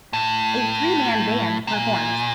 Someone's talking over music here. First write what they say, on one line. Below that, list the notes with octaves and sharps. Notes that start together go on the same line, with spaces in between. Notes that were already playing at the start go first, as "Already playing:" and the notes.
A threeman band performs.
A2
C3
A#2